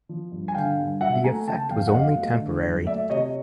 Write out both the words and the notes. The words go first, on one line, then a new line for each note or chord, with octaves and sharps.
The effect was only temporary.
F3
G2
G#5
D3 F5 G5
G2
F#3 E5 F#5
A3 G#5 A#5
C#3 G5 A5
F2 F5 G5
F#5
F#3 D#5 F5
A3
D3
F#2
A3 D5 E5
C3 C#5 D#5